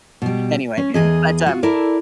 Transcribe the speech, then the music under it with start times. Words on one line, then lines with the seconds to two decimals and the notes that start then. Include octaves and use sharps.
Anyway, but, um
0.22 B2 G3
0.77 C#4
0.94 E2 G#4 D#5
1.46 F4 F#4
1.63 E4 A4 A#4 D5